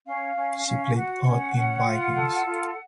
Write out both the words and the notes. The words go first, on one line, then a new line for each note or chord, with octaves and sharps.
She played Aud in "Vikings".
C#4 F5
C#4
C#4
F#4 F#5
C#4
C#4
F4
A4
F4